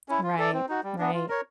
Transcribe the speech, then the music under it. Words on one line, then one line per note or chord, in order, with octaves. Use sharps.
Right, right.
C#4 E4
F4
A4 D5
C4
D#4 F#4
G3
B3 D4
F4
A#4 C#5